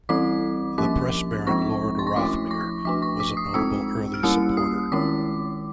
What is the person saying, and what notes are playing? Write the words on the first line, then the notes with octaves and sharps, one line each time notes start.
The press baron Lord Rothermere was a notable early supporter.
E3 G3 C4 E4 D6
F3 A#3 C#4 D6
F3 G#3 C4 D#4 C#6
C6
C#6
F3 A3 C#4 E4 D6
C#6
F3 A3 D4 D6
C#6
D6
D#6
G#3 C4 D#4 E6
F6
G3 A#3 C#4 E4 E6
D#6
D#3 G#3 C#4 E4 D6